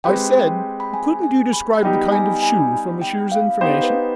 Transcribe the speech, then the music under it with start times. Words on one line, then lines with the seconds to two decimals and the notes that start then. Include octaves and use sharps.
"I said, couldn't you describe the kind of shoe, for monsieur's information?"
0.04 G#3 C4 G4 B4 G5
0.80 B5
0.94 G#5
1.23 G#5
1.53 B5
1.83 G3 B3 D#4 G4 G5
2.12 G#5
2.42 G#5
3.02 G5
3.32 F5
3.61 B3 D#4 G4 C5 F5
3.83 B4